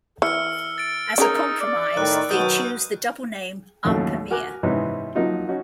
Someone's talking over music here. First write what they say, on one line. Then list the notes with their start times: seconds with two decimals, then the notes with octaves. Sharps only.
As a compromise they choose the double name Erpe-Mere.
0.22 E3 E6 F6 C#7
0.78 A6 D7
1.18 C#4 D#4 G#4 A#4
1.60 D5
1.97 A2 D#3 F#6
2.30 B2 D#3 F#3 D#6 G6 D#7
3.84 D#2 A2 C#3 F#3 A3 C#4
4.30 F#4 A#4 G#5 D6 F#6
4.63 G#2 C3 E3 B3 C#4 D#4
5.15 F3 F#3 A#3 D#4 F4
5.48 C#4 D#4 F#4